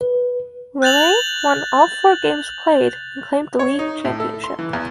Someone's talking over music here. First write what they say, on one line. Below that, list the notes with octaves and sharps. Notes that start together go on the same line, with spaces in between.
Raleigh won all four games played and claimed the league championship.
B4
F#6 G6 A6 F7 F#7
C#5
D#4
A2
A4
C6
E3
E2